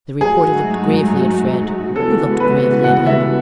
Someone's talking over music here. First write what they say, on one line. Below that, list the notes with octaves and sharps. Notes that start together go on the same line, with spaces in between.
The reporter looked gravely at Fred, who looked gravely at him.
G#2 F#3 A3 D#4 F#4 G#4
C#3 E3 G#3 B3 F#4 A4
B4
F#5
E5